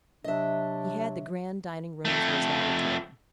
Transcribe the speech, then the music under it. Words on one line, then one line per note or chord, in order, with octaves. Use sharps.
He had the grand dining-room for his laboratory.
C3 F#3 D4 D#5 E5
F2 A3